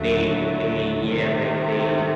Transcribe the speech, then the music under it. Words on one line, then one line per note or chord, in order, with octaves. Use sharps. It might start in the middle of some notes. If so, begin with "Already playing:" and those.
they they yeah, like, they
Already playing: D#2 D3 F#3 A3
C3 D#3 A3